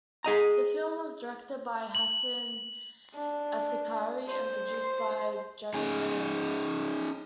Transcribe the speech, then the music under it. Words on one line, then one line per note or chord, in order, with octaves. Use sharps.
The film was directed by Hasan Askari and produced by Jahangir Khan.
G#4 D#5 A#5
F#7
D4
C5
C#4 D#4 G#4